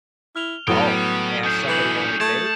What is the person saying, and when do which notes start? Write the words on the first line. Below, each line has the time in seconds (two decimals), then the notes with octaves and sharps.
Oh, ask somebody on a date?
0.36 E4 F6 F7 G7
0.68 A2 F#3 B3 D5 G5 D#6 C#7
1.44 C#4 D4 D#6 G6 C7
1.67 E3 C#7 F7 F#7
2.20 A3 A5 G#6 A6